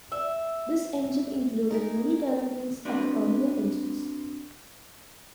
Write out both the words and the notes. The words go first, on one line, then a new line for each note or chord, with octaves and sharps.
This engine included many developments of the earlier engines.
E5
D#4 G#4 A#4
C4 D4 F#4 B4 D5